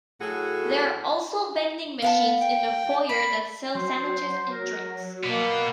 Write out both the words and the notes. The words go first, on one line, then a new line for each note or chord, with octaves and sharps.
There are also vending machines in the foyer that sell sandwiches and drinks.
A2 F#3 F#4 G#4 A4
B3 F5 F#5 A5
G5
D5 B5
F#3 C5
A#4
B2 A#3 B3 D5